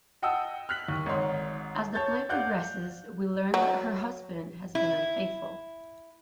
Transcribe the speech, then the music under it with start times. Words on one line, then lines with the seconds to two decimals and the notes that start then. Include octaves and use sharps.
As the play progresses, we learn that her husband has been unfaithful.
0.22 D#5 F#5 G5 A5 D#6 E6
0.69 F6 F#6 B6 F#7
0.88 D#2
1.06 G#1 G#2 D#4 C#5 C6
1.95 C#5 A5 C#6 G6 A6
2.29 D5 F5 F#5 F#6 G6
3.54 F#3
4.75 E4